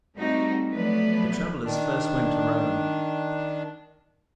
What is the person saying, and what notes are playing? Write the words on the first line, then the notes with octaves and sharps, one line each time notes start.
The travellers first went to Rome.
G3 A3 C4 D#4 F#4
F3 F#3 A3 B3 B4 D5
D#3 D4